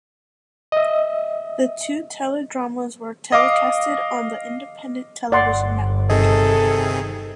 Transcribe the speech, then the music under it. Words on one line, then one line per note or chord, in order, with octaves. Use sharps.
The two teledramas were telecasted on the Independent Television Network.
D#5 E5
D#5 F5 D6
G1 D5 F#5 C6
C3 D#3 G#4 A4 D#5